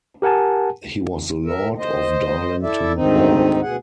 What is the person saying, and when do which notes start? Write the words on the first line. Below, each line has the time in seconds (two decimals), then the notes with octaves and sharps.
He was the lord of Darlington Hall.
0.22 G4 A#4 F#5 G#5 A5
1.46 A#4 E5
1.78 C5 D#5
2.63 E4 A4 D5 E5
2.94 D2 G#2 D#3 C4 D#4
3.62 D2 B2 G#4 F#5